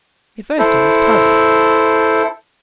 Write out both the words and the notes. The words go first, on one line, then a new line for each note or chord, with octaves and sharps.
At first I was puzzled.
E4 A4 C5